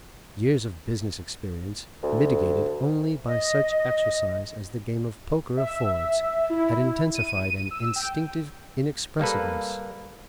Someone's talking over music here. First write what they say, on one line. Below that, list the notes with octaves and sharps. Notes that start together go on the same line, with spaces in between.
Years of business experience, mitigated only by such exercise as the game of poker affords, had intensified an instinctive inexpressiveness.
D2
D#5
E5
E4
D#7
E6
G5
G3 A#3 A4 B4